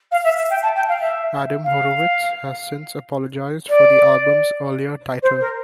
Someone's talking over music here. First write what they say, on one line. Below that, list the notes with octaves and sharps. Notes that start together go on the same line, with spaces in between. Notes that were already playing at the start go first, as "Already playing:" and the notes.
Adam Horovitz has since apologized for the album's earlier title.
F5
E5
E5
G5
A5
G5
F5
E5
F5
D5
C5
A#4